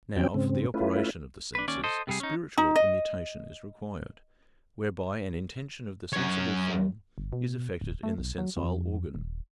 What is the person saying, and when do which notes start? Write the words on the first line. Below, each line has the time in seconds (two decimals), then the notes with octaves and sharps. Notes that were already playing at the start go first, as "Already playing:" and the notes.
Now, for the operation of the senses, a spiritual immutation is required, whereby an intention of the sensible form is effected in the sensile organ.
0.16 F2 F#3 C4 C#4 G5
0.34 G#2 C#3 C4
0.74 A3 C#4 E4 F4 B4
1.55 D4 B4
1.68 D#2 C#4 D5
1.84 A4 C5 D#5
2.07 C3 G3 G#4
2.20 C#4 D#4
2.58 D#4
2.76 D#5
6.13 F#2 C#5
7.18 G1
7.33 B2
7.81 D1
8.03 A3
8.18 B1
8.38 F#3
8.57 F2
9.15 D#1